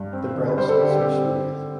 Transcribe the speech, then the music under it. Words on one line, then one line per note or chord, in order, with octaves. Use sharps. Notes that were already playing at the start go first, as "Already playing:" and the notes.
The branchlets are smooth.
Already playing: G2
C4
D3
B4
G3 C5
A4
D3 G4
G4
C4 G4